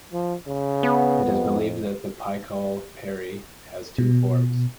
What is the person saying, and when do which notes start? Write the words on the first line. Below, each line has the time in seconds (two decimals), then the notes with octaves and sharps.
It is believed that the Pichal Peri has two forms.
0.13 F3
0.48 C#3
0.83 B3
1.24 F2
3.98 B2